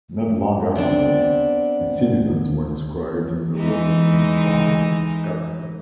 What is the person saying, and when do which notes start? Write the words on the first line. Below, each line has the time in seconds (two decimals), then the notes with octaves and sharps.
Not long afterward, its citizens were inscribed in the Roman tribe "Scaptia".
0.75 B3 C4 D4
3.57 E3 G#3 D#4